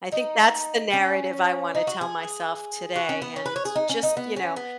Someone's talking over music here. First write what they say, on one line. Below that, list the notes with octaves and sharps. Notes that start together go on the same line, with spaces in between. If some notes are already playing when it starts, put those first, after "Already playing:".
I think that's the narrative I wanna tell myself today and just, you know
D#4
C#4
D#4
F#4
G#4
F#4
C#4
B3
C#4
B4
C#5
G#4
D#4
C#4
D#4
B3
C#4
B3